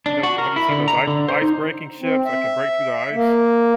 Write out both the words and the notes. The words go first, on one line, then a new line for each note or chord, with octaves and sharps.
you know, have you seen those i ice breaking ships that can break through the ice?
D4
F#4
A#4
E4
D3
A#5
D3
C5
D#4
C4
E5
A#3